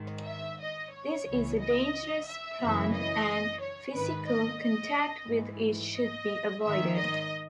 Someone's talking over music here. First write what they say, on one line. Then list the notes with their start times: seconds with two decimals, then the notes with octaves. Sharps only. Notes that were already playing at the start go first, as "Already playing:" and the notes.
This is a dangerous plant and physical contact with it should be avoided.
Already playing: G#2 D#3
0.26 E5
0.60 D#5
0.93 C#5
1.27 C#2 C#3 E3
1.60 D#5
2.27 E5
2.61 F#2 C#3 E3
2.94 D#5
3.62 C#5
3.94 G#2 D#3 B4
4.28 D#5
4.61 D#5
5.29 G#2 E3
5.96 D#5
6.63 G#2 D#3 E5
6.97 D#5